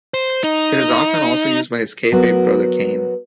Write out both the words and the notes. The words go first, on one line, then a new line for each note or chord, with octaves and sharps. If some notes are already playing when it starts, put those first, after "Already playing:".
It is often also used by his kayfabe brother Kane.
C5
D#4
F#3 B3 F#4 A#4